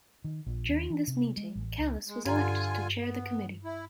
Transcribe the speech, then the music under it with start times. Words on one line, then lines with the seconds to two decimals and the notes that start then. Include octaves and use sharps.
During this meeting Kalas was elected to chair the committee.
0.24 D#3
0.46 A#1
0.69 D#2
0.90 E3
1.07 C3
1.37 G#3
1.55 A1
1.79 C#2
2.08 G#3
2.25 G2 D3 F4 G#5 A#5
3.00 B3
3.64 E4